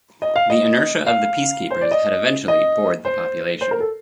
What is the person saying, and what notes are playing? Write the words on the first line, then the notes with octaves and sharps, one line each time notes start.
The inertia of the peacekeepers had eventually bored the population.
D#5
F5
D#5
F5
C5
D5
D#5
D#5
C5
C5
A#4
A4